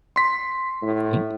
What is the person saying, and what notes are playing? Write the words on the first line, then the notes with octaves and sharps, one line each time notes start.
You think.
C6 B6
A2